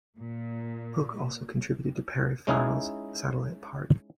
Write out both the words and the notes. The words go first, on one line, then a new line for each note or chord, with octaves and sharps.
Hook also contributed to Perry Farrell's Satellite Party.
A#2
G#3 C#4 D#4 E4 G#4